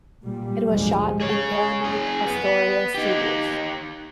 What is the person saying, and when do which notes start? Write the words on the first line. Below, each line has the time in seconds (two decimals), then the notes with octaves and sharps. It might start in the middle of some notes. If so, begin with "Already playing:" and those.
It was shot in Paramount Astoria studios.
0.24 A#2 G3
0.68 G#1 D2 D3 F3 G3 G#3
1.20 G#4 C#5
1.84 F#2 G#4
2.26 B3
2.94 D#4 G4